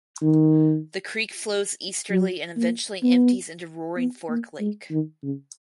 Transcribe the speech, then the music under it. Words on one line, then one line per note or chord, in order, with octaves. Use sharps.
The creek flows easterly and eventually empties into Roaring Fork Lake.
D#3
F#3
A#3
B3
B3
A#3
G#3
D#3
C#3